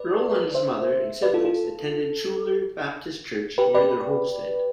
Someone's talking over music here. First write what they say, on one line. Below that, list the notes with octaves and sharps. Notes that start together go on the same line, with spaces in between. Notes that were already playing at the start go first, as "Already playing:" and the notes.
Earl and his mother and siblings attended Schuyler Baptist Church near their homestead.
Already playing: B4 D5
C5 E5
B4 D5
F4 A4
F4 A4
G4 B4
B4 D5